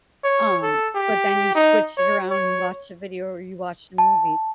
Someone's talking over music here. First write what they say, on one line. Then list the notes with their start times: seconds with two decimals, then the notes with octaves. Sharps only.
um, but then you switched it around and you watched a video or you watched a movie,
0.24 C#5
0.63 A4
0.95 G4
1.55 D#4
1.98 C#5
2.31 C#5
3.98 A5